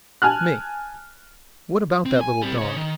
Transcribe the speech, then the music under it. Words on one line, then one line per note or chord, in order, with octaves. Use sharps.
ME: What about that little dog?
G#5 A5 F6 F#6
C4
G#5
G3 C4
C#3 C#5
D#3